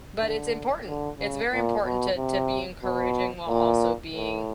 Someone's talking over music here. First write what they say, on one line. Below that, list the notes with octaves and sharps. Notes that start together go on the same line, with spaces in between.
But it's important, it's very important to to be encouraging while also being,
D3
D3
C#3
A#2
B2
C3
B2
A#2
A2